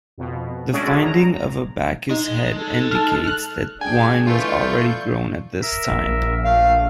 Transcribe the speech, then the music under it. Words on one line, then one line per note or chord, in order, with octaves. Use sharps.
The finding of a Bacchus-head indicates that wine was already grown at this time.
F2 B2
G#3 A3 C#4 F#4 G#4 D5
A#5
G#3 D#4
A4
A5 F6
F6 F#6
D4 G#4 G5 G#5
E3 A3 F4 D5 C#6 G6
A#4 E5
A#1
A3 F5